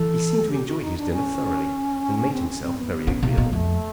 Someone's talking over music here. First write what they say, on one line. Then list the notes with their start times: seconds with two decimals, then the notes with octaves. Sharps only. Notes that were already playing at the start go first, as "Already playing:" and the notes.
He seemed to enjoy his dinner thoroughly, and made himself very agreeable.
Already playing: E3 A4
0.51 G4
0.66 F#4
0.82 D#4
0.97 D4
1.11 C#4
2.33 C4
2.47 C#4
2.62 C4
2.77 B3
2.93 B3
3.07 C#3
3.23 C3 A#3 B3
3.38 B2
3.53 F2 A3